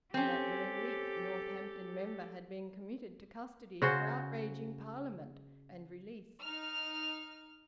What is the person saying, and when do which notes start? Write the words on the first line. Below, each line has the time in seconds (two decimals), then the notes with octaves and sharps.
In that very week the Northampton member had been committed to custody for outraging Parliament, and released.
0.14 C4 C#4 G4 A4
3.82 C#3 F#4 C5
6.41 D#4 F6